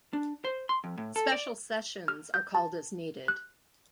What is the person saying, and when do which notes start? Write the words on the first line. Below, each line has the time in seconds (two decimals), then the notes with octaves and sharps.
Special sessions are called as needed.
0.13 D4
0.45 C5
0.69 C6
0.84 F2
0.98 A2
1.16 A4
1.32 D5
2.08 F6
2.34 G6
2.55 A5
3.28 F#6